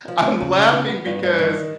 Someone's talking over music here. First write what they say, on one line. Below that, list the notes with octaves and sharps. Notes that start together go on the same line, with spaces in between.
I'm laughing because
F3
F3
C#3
C#3
B3
B3
G2
G2
D#3